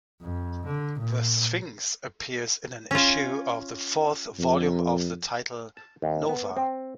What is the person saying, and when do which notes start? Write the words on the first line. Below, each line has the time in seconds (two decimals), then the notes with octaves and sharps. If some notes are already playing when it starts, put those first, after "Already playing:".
The Sphinx appears in an issue of the fourth volume of the title "Nova".
0.21 F2
0.66 D3
0.99 A#2
2.91 C#4 F4
4.39 F2
5.77 A5
6.02 D#2
6.29 B3
6.57 C4